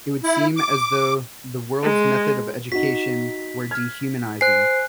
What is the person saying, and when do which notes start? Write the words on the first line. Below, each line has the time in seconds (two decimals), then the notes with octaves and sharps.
It would seem as though the world's method of education were dehumanizing.
0.23 E4
0.57 D6
1.82 G#3
2.72 D#4 F#4 B6
3.71 F6 G#6
4.41 C5 G#5 F#6 C7